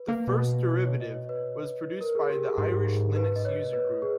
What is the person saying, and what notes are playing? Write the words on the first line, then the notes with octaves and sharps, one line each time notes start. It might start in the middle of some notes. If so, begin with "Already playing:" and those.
The first derivative was produced by the Irish Linux Users Group.
Already playing: B4
A#3
B2 B4
C#5
D#5
C#5
B4
A#4
G#4
G4
G#4
G#2 G4
G#4
B4
D#5
C#5
B4
G#4